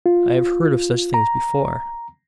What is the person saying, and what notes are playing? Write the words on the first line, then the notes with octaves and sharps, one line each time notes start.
I have heard of such things before.
F4
A#5